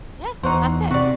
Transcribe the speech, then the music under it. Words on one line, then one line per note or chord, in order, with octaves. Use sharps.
Yeah, that's it.
E2 D#4 F#4 C5
C3 F#4 D5